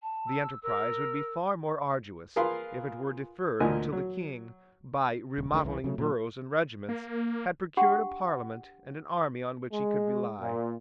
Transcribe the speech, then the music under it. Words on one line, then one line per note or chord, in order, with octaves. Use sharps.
The enterprise would be far more arduous if it were deferred till the King, by remodelling boroughs and regiments, had procured a Parliament and an army on which he could rely.
A5
E6
A#4 E6
F4 G#4 A#4 B4 F5 C6
D2 A#2 A#4 D#5 G#5
F#3
D#1
F1 D2 D3 D#3
C2 E3
C#3 F#3 A3
A#2 F#3
A#3
D4 G4 F#5 G5 C6
G#3
A#2